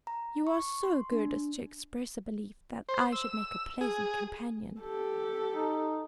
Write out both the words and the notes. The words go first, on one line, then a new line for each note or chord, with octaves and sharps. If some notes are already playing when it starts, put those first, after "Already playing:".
You are so good as to express a belief that I should make a pleasant companion.
A#5
C#6
C6
D4
C5
E6
G#4
G4 A4
D#4